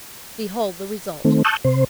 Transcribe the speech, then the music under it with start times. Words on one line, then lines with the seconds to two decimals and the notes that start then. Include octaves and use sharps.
Behold the result!
1.24 D#3 A3 C4
1.45 A5 C#6 D#6 E6 F#6 G6
1.64 C3 C5